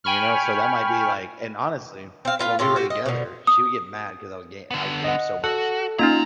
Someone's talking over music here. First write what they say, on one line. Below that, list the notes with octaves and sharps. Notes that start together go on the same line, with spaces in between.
And you know, so that might be, like and, honestly, when we were together, she would get mad, 'cause I was ga I would game so much.
G5 G#5 B5 C#6 F6
C4 F5
B3 F4 F5
A2 C3 F4 G4
F#4 G4
D#5
B2 D3
D#6
D3 B3
D#5 F#5
F#4 A4 F#6
A#3 C4 C#4 D#4 F4 A#5